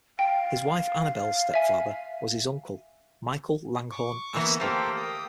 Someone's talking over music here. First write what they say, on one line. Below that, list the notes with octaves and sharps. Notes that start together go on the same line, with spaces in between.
His wife Annabel's stepfather was his uncle Michael Langhorne Astor.
F5 G5
E5 G#5
C#6 D6
E3 A#3 B3
A3 A#3 G4 A4 A#4 C5
G5 D#6